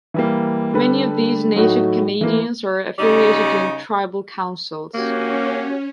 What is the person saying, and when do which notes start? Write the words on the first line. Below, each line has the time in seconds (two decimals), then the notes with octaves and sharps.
Many of these Native Canadians are affiliated in tribal councils.
0.14 E3 G3 A#3
0.74 D3 G3 D4 A4 B4
1.56 A2 F#3 A3 D#4 F#4
2.21 E3 A3 A#3
2.99 C#3 G3 D#4
4.94 A#3 C#4 F#4 G4 C#5